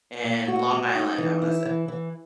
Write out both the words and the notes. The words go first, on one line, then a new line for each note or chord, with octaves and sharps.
in Long Island, I wanna say
A#2
F#4
G#3
D#4
E3
E4
E3
E3